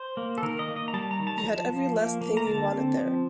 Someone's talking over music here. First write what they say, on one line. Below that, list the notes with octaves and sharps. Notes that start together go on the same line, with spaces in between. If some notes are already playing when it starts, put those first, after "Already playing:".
You had every last thing you wanted there.
Already playing: C5
A#3
A4
D#3 A#4
D#5
A#3
D#5
A#5
G3 A5
A#5
D#3
A5
A#5
F3 A5
F3
A#3
A#3
A#5
D3 A5
C4
F3